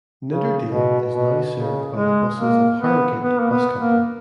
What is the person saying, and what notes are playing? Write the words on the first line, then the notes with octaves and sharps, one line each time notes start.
Nidderdale is now served by the buses of Harrogate Bus Company.
C#3
B2
B2
C#3
G#3
A#3
B3
B3
A#3
B3
A#3